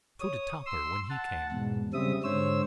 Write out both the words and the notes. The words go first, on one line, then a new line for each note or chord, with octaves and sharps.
So did Topper when he came.
C#5 D#6
C6 E6
F#5 A5
E2 G#2 B2
C#3 G3 C4 E5 D#6
G#2 D3 C5 C#5 E6